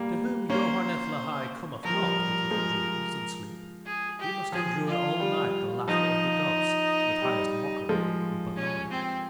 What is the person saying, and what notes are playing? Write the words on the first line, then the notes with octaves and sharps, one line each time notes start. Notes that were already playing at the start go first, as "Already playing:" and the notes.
To whom Yoharneth-Lahai cometh not with little dreams and sleep he must endure all night the laughter of the gods, with highest mockery, in Pegana.
Already playing: G3 A#3
A#3 C#4 C5
F3 A#4
G3
F3
G3
F3 G#3
G#4
G4
F3 G#4
F4
G3
F3 D#4
G3
F3 G#3
C#4
C4